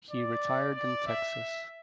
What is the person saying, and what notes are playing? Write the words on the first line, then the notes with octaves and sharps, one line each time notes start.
He retired in Texas.
D5
D5
E5